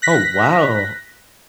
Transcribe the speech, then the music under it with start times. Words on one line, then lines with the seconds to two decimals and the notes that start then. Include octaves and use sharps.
Oh, wow.
0.02 F#6 A#6 B6